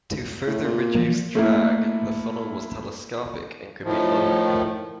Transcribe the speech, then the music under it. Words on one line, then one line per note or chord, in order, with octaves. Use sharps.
To further reduce drag, the funnel was telescopic and could be lowered.
A2
A#2
E3 F3 A#3
A3 A#3 E4
A2 D#3 F3